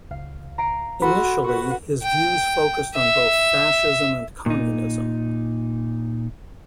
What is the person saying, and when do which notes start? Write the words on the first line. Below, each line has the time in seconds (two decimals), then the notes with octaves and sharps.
Initially, his views focused on both fascism and communism.
0.11 C#2 F5
0.58 A#5 C7 D7
1.02 F#4 A4 F#5 B5 C6
1.44 F#4 B4 C#6
2.03 G5
2.95 E5
4.46 A#2 D#4